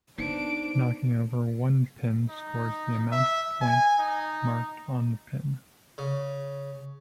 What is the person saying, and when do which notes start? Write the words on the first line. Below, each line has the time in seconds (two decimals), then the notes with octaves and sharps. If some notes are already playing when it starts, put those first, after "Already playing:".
Knocking over one pin scores the amount of points marked on the pin.
0.18 B3 D4 D#4 C5 D7
2.30 D#4
3.12 E5
3.62 G#5
3.98 D#4
5.98 C#3